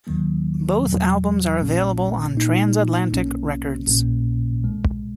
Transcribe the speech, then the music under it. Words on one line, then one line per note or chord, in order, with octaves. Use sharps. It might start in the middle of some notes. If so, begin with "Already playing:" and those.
Both albums are available on Transatlantic Records.
D#2 D#3 F#3 A#3
E2 B2 F#3
A#1 A#2 A#3 C#4
A#2 A#3 D#4
B1 B2 A#3 C#4
A#1 A#2 A#3 C#4
B1 B2 G#3